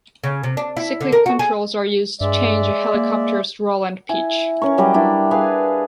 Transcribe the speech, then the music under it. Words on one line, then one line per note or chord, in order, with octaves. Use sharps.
Cyclic controls are used to change a helicopter's roll and pitch.
C#3
C3
D4
E4
D3
A#4
F#4
G#4
G2 G#3 D5 E5
A#3
E4 G#5
C#4 A#4 C#6
F#3 G3 D#5 D6
D4 E4 D5
G#4 B4 F5 G#5